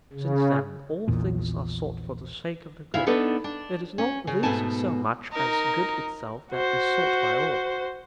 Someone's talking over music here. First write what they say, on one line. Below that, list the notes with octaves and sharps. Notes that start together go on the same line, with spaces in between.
Since, then, all things are sought for the sake of the good, it is not these so much as good itself that is sought by all.
C#3
A#1 E2 A#2
D2 E4 E5 F5
B3 D4 D#4 A4 B4
D4
C#4
C#3
G#2 B2 A3 B3 G#5 A5
D#4 A#4
F#4 C5